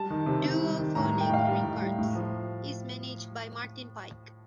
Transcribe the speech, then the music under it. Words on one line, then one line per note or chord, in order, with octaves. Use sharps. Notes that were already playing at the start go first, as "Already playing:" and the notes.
Duophonic Records is managed by Martin Pike.
Already playing: G3 A5
D#3
C3
C3
G3
D#3
A2 A#5
G3
G5
A2 F5
G3
A2
G3
A2
F3